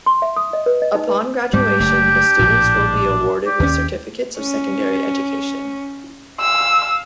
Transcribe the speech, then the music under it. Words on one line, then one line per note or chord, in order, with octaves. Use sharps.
Upon graduation the students will be awarded with certificates of secondary education.
C6
E5
D#6
D#5
B4
D#5
D#4
B4
G#2 G3 D4 G4
F#1 A3 D4
A#1 A2
G4 D5
D#2 C#4
C#4
F5 E6